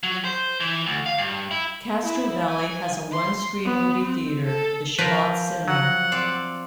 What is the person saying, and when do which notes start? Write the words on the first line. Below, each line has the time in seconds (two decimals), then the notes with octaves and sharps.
Castro Valley has a one-screen movie theater, the Chabot Cinema.
0.03 F#3
0.25 C5
0.60 E3
0.86 D2
1.06 F5
1.18 G2
1.51 E4
2.04 E4
2.48 G#5
3.12 C6
3.65 B3
4.04 C4
4.47 A4
4.99 F3 A#4 B4
5.68 F#3 F#5
6.12 C4 D5 F5